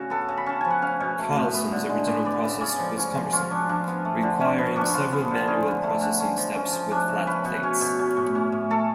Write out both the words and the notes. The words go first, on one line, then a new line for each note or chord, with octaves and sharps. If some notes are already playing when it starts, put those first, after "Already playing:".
Carlson's original process was cumbersome, requiring several manual processing steps with flat plates.
Already playing: C#3 C#4 F#4
B3 A4
C#3
B5
C#4 A5
F3 G#5
F#5
C#4 F5
B2
A3
A2
B3
D3
G#3
A2
B3 D5
C#3
C#4 D5
F3
C#4
F3
C#4 F4
F3 D4
F3 D4
B3
A3
D3
F3 C#4
B3
C#4 D4
F3 F4
B3
D3
C#4 G#4
D3
A3
D3
C#4
F3
C#4
F3
C#4 D4
C#3
C#4 B4
B2
C#4 C#5
B2
C#4
A2
C#4
A2
A3 A4